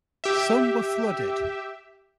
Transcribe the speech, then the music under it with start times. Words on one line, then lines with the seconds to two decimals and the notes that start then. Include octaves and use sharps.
Some were flooded.
0.24 G4 E5